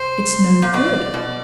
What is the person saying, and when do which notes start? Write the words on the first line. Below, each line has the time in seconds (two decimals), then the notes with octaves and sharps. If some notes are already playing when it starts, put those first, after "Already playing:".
"It's no good."
Already playing: C3 C5
0.62 A#2
0.74 B2 D5
1.14 B2